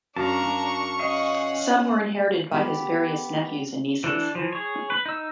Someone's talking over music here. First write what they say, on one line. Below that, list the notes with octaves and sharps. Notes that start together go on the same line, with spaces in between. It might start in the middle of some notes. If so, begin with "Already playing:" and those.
Some were inherited by his various nephews and nieces.
F#2 D4 A#4 F5 A5 A#5 C#6
C#4 D#5 F5 F#5
B3 G4
E3 D4 A4
E3 F3
G#4 C#5
B4
D#4 E6